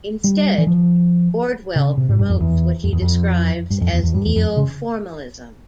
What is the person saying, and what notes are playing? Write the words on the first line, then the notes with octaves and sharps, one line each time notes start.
Instead, Bordwell promotes what he describes as neoformalism.
G3
E3
F3
C#3
C3
G#2
G2
F2
E2
F2
E2
F2
G2
F2
E2
E2
G2
E2
F2
C#3